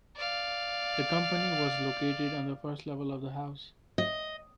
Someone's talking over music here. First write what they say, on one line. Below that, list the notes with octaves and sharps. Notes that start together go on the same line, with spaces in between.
The company was located on the first level of the house.
D5 F5
D#5